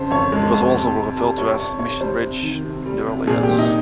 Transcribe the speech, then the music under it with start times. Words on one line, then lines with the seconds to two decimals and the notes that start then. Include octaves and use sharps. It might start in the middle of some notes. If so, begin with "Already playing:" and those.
It was also referred to as "Mission Ridge" in the early years.
Already playing: F2 C#3 C5
0.11 F2 C#5
0.32 G#3
0.54 F2
0.74 C3
0.96 C3
1.17 G3
1.37 G3 C#5
1.59 C3 C#5
1.79 C3 C#5
2.01 G3 C5
2.22 C3
2.42 D#3
2.65 C3
2.86 G3
3.07 C3
3.27 A#2 G#4
3.43 G4
3.49 A#2
3.59 D#4